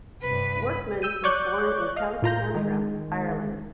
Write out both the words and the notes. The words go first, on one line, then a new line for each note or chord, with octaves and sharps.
Workman was born in County Antrim, Ireland.
G2 C3 B4
E6 G6 D#7
C#5 D5 C#6 D6 F#6 G6
D#5 F5
A2 F4 A#5 G6
D#3 G#3